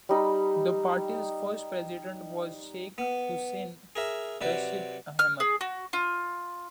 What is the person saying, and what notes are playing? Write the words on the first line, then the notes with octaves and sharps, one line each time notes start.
The party's first president was Sheikh Hussain Rasheed Ahmed.
G3 D#4
B3
G#4 A#4 E5
C3 F#3 B4 D5
F6
G#4
F#4
F4